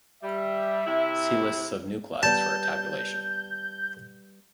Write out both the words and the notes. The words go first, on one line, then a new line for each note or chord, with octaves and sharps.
See list of nuclides for a tabulation.
G3 E5
C3 E4
G3 B3 A5 G6